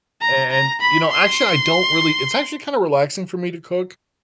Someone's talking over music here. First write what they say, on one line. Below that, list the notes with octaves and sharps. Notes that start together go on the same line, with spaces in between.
A and, you know, actually, I don't really it's actually kinda relaxing for me to cook,
A#5
A#5
B5
C6